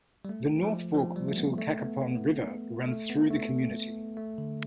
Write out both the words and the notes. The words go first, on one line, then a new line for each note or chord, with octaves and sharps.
The North Fork Little Cacapon River runs through the community.
G3
A3
F3
F3
G3
A3
B3
A3
B3
B3
A3
B3
A3
A3
D3